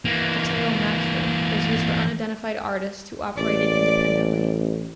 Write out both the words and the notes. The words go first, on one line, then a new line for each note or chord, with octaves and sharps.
The title, Master, is used for unidentified artists who operated independently.
E3 A#3
A1 D5